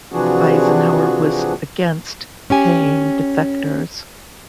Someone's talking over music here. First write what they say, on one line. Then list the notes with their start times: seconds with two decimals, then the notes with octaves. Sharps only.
Eisenhower was against paying defectors.
0.12 C3 E3 F3 D4 F#4 G#4
2.50 C#4 G4 G#5